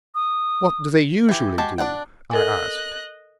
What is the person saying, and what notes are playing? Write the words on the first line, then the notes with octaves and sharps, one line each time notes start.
"What do they usually do?" I asked.
D#6
E3 G4
G#3 F#4 G4 A5
D4 D5 F#5 G5
A4 A#4 D#5 G#5 F#6